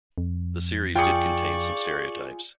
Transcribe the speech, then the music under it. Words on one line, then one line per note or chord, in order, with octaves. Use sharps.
The series did contain some stereotypes.
F2
F4 G#4 D5 G5 C#6 C#7